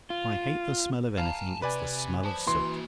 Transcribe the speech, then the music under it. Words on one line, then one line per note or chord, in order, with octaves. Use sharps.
If I hate the smell of anything, it's the smell of soot.
F4
F5 A5 A#5
C3 B4 D5 G#5
C5 A5
E3 A#3 F#4 C6